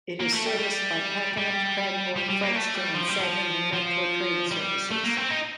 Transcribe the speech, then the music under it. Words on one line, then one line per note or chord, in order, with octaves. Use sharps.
It is serviced by Pakenham, Cranbourne, Frankston, and Sandringham Metro Trains' services.
A#3
A3
G3
G3
G3
G3
G3
A#3
A3
G3
F3
G3
F3
F3
G3
A3
A#3
C4
D#4